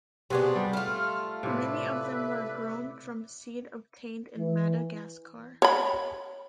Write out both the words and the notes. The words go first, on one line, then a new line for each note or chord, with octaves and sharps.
Many of them were grown from seed obtained in Madagascar.
C3 B3 D4 F#4 G#4
G3
A3 F4 F6
A2 C3 B4 D5 E5
E3
C#5 B5